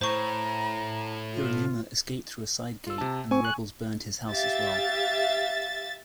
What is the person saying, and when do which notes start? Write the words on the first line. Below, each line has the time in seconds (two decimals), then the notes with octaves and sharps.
Hiranuma escaped through a side gate and the rebels burned his house as well.
0.01 A2 C5 A#5 C#6
1.33 F4
2.87 F4 E6
2.98 C3 A5
3.31 C4 G#5 C#6
3.45 F#6
4.30 G4 E5 F5 A6